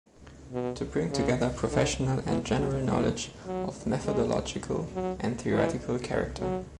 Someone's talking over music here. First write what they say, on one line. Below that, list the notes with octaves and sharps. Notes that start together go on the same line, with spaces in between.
To bring together professional and general knowledge of methodological and theoretical character.
B2
C#3
D3
E3
F#3
E3
F#3
G#3
F#3
E3
F#3